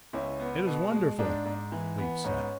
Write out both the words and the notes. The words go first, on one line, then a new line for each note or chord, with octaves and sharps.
"It is wonderful," Leif said.
C#2 C#4 E4
B3
B2
G#3
G#2 D4
G#2
E3
B3
G#2 C#4